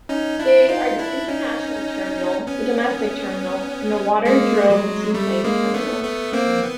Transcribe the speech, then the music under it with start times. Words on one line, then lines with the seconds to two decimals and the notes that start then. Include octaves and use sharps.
They are the International Terminal, the Domestic Terminal and the waterdrome Seaplane Terminal.
0.09 C#4 D#4
0.39 D4 E4
0.69 D#4 F4
0.98 D4 E4
1.28 C#4 D#4
2.47 B3 C#4
4.25 G#3 A#3
4.70 F#3 G#3
5.14 G3 A3
5.44 G#3 A#3
5.74 A3 B3
6.03 A3 B3
6.33 A#3 C4
6.63 B3